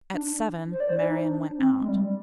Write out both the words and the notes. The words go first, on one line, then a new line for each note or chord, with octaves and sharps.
At seven, Marian went out.
D4
C5
D5
C5
D#4
D4
C4
G#3
G3